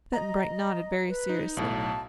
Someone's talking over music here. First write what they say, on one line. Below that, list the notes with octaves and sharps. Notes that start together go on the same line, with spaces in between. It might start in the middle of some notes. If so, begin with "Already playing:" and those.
Button-Bright nodded, very seriously.
D#5 A#5
B4
D#4
B1 A2 A5